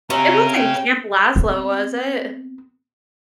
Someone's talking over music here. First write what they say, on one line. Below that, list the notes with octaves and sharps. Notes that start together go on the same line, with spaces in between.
It wasn't Camp Laszlo, was it?
C3 C#4 G#4 A#5
G5
B3 C4